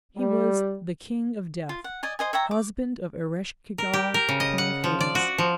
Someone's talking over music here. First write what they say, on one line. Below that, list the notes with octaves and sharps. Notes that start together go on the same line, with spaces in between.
He was the king of death, husband of Eresh-ki-gal, queen of Hades.
G3
F4
F#5
D5 D#5 G#5
C5 D#5 G#5
C#5 E5 G5 A#5
D6
A#4
G4
A#4
C#3
D#5
F#5
F3
D5
F#4
F3